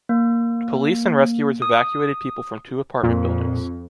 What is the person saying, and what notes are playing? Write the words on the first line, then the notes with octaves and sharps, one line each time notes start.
Police and rescuers evacuated people from two apartment buildings.
A#3
D#6
F2 A#2